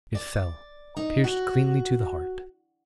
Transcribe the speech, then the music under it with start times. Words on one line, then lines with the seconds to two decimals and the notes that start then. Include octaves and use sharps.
It fell, pierced cleanly to the heart.
0.15 D5
0.97 D#4
1.24 F#4